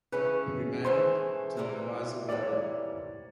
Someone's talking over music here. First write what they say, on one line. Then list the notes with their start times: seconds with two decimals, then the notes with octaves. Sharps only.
He remarried to Eliza Weldon.
0.12 C#3 E3 A3 C#4 B4
0.84 C#3 E3 A3 C#4 C5
1.57 C3 E3 G3 A#3
2.29 C3 E3 G3 A#3 D5
2.43 C#5
2.53 D5